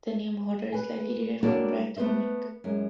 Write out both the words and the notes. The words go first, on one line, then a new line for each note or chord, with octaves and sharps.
The name Hodder is likely derived from Brythonic.
B4 G#5
G3 A#3 D4 F#4 A4 C#5
A3 B3 B4 C5 E5
F#2 G#3